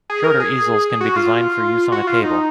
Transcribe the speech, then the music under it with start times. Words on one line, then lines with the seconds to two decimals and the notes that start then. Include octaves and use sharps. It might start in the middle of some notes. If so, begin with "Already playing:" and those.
Shorter easels can be designed for use on a table.
0.10 G#4
0.24 A#4
0.40 G#4
1.01 F#4
1.16 F4
1.92 F#4
2.07 F4
2.22 D#4